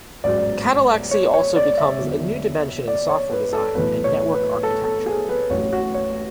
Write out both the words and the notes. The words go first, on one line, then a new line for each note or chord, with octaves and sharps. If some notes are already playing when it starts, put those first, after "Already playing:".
Catallaxy also becomes a new dimension in software design and network architecture.
A1 G#2 F#3 D5
C#5
C#5
D5
E5
E2 D3 F#3
D5
C#5
B4
A4
B1 A2 E3 B4
C#5
B4
A4
A4
G#4
B4
A1 A2 F#3 C#5
F#4
C#5